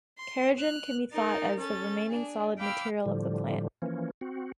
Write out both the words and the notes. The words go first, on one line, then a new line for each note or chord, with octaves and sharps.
Kerogen can be thought of as the remaining solid material of the plant.
C6
F6 F#6
D#4 A#4 A6
C#4 A4 A6
D4 G#4
F5 G5 B5 D6 E6 F6
A2 D3 F3 G3
E3 F3 A#3 C#4
C4 F#4